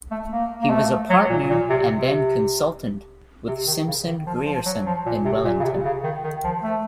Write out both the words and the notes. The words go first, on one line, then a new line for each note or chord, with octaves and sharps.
He was a partner and then consultant with Simpson Grierson in Wellington.
A3
A#3
A#3
A3
F#3
A#2
A#2
C3
C3
C3
D#3
C#3
D#3
F3
F3
F#3
F3
A#2
C3
A#2
C#3
C3
C#3
D#3
D#3
F3
A3